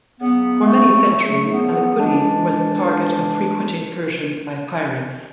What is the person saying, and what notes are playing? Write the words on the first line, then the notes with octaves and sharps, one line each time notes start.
For many centuries, Alicudi was the target of frequent incursions by pirates.
C#3 F#3 B3
A3
C#3 F#3 A3
A3
B3
B3
A2 E3 G#3 D4
A2 E3 G#3